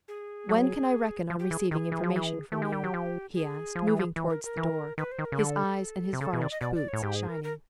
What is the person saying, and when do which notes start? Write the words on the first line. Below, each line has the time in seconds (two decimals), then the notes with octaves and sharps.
"When can I reckon on receiving information from you?" he asked, moving towards the door, his eyes and his varnished boots shining.
0.08 G#4
0.49 F#3
1.30 F3
1.39 G4
1.51 E3 G#4
1.71 D#3 G#4
1.92 E3
2.04 F3
2.16 E3
2.52 A3 G4
2.62 G#3
2.72 G3
2.84 F#3
2.94 F3
3.34 G#4
3.75 F3
3.87 E3
3.99 F3
4.16 E3
4.30 A#4
4.44 A#4
4.57 E3
4.98 D#3 B4
5.12 C5
5.19 D#3
5.25 A#4
5.32 C#3
5.39 D3 A4
6.13 C3
6.21 C#3 A4
6.31 B2 G#4
6.41 C3 D5
6.51 D#5
6.61 B2 D5
6.75 D5
6.88 A2 C#5
7.03 G#2 G4
7.16 G#4
7.29 A#4
7.44 A#4